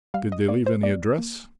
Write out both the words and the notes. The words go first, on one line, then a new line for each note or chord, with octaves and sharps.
"Did they leave any address?"
G3 F5
D#5
A#3 D5
C5
A#3 D5
A#3